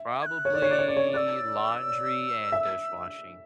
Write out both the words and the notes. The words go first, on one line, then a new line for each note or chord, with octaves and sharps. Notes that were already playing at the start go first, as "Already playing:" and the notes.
probably laundry and dishwashing,
Already playing: E5
G#6
F#6
C#5
D5
C#5
D5
C#5
D5
C#5
D5 E6 F#6
E5